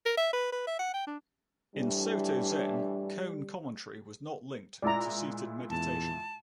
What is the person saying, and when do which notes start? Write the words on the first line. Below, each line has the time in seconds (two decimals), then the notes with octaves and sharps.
In Soto-Zen, koan commentary was not linked to seated meditation.
0.06 A#4
0.17 E5
0.33 B4
0.52 B4
0.67 E5
0.79 F#5
0.94 G5
1.07 D4
1.76 A2 E3 G3 D4
4.82 A#2 G#3 E4 D5 A#5
5.70 E2 A5